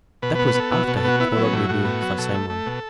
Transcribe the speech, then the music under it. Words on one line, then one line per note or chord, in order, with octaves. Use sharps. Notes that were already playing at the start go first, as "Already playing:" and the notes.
That was after he quarrelled with you, Sir Simon.
B2 B4
B4
B3
B4
B3 A4
B2 E4
B2 F#4
A4
B3 F#4
B3 E4
E4
F#3
C#4
A2 E4
A2 F#4
B3
F#3
B2 A4
A3
A3
B2